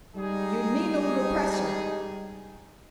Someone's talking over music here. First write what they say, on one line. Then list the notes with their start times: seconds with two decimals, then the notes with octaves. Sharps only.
"You mean ole oppressor!"
0.16 G3 G#3 D#4 G#4